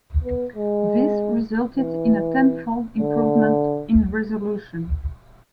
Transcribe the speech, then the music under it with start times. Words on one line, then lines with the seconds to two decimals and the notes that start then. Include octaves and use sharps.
This resulted in a tenfold improvement in resolution.
0.24 B3
0.55 G#3
1.77 E3
2.99 D3